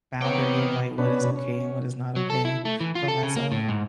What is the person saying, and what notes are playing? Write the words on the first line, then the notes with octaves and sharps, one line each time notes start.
boundary of, like, what is okay and what is not okay for myself.
B3 C4 D#4 C#5 F#5 G5 D6
B2 C#4 D4 B4
C#4
F#3
A4
E4
A3
E3
F4
A4
C#3
A#3
A2
G#2